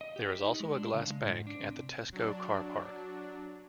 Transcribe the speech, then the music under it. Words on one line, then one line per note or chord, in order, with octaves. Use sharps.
There is also a glass bank at the Tesco car park.
D#5
G4
G4
D#4
G#3
D4
C#3
G#3
G#2
D4
C3
F#3 D4